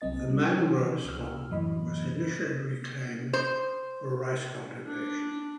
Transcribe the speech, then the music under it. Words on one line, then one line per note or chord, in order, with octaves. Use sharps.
The mangrove swamp was initially reclaimed for rice cultivation.
C2 F#3 C4 D#5 A6
B2 G3
D#3 E3 F#3 C#4 D#4 F#4
C#2 E6 F6
F#2 A2 E3 F#3 D#5 B5
C5
D4